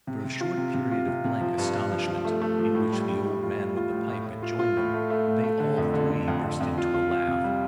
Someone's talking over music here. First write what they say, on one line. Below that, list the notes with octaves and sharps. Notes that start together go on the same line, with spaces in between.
After a short period of blank astonishment, in which the old man with the pipe had joined them, they all three burst into a laugh.
C3
C3
F4
C3
C3
F4
C3
C3
F3
G2
G2
F3
F3
A3
A3
F3
A2
G3
G3
A2
F4
F4
F4
A2
A2
A2
F4
F4
A2
A3
A3
A2
A3
D3
F2
D3
D3
F2
F2
F2
F4
F4
F4
C3
G3